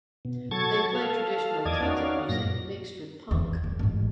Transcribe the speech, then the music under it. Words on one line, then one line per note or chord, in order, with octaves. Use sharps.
They played traditional Celtic music mixed with punk.
B2
F#3 A4 C#6 G#6 A6
A4 F5
E2 D5 D#5 A5 G#6
C#4 D#4 F#4 D5 F5
F#2 A#2 A#6
E2
F#2
A1 G#2